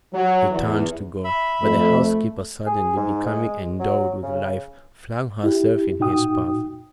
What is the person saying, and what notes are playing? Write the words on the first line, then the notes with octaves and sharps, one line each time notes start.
He turned to go, but the housekeeper, suddenly becoming endowed with life, flung herself in his path.
F#3
E2
E5 B5
F2 A3
G#4
G#2
G#3
F#3
C#3
C#3
E4 G4
A#2 D#4 F#4 G5 D#6